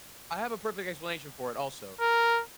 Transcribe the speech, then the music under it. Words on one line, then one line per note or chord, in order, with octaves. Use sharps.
I have a perfect explanation for it also.
A#4